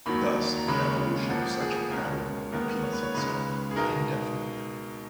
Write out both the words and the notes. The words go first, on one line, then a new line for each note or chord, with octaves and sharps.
Thus the evolution of such a pattern repeats itself indefinitely.
D#2 D#3 F#3 B5
A#5
D#2 C#3 G#3 C#4 B5
F1 F2 F3 A#3 F#5
G#4
C#2 B2 G#3 C#4 A#4
D#2 D#3 G#3 B3 A#4
C#5
B4
C#5
C#2 C#3 G#3 D#4 B4
G#4
B1 B2 G#3 D#4 A#4